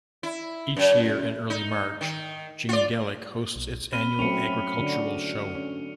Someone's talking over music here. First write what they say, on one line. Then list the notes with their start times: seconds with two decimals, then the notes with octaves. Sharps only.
Each year in early March Jingellic hosts its annual agricultural show.
0.23 E4
0.77 F#2
1.50 D#4
2.01 D#3
2.69 F4 D5
3.56 B1
3.93 C4 B5 F6 D#7 G7
4.19 F#3 A3 C4 C#4 C#7 D#7 F7
4.79 D3 D4 F#4
5.55 C#4